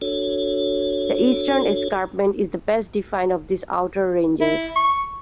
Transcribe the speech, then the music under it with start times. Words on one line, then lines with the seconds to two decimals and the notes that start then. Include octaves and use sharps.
The eastern escarpment is the best defined of these outer ranges.
0.02 D4 F#4 A4 C#5
4.41 E4
4.76 C#6